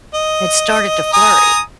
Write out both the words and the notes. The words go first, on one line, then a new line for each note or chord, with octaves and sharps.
it started to flurry,
D#5
G#5 A#5 D#6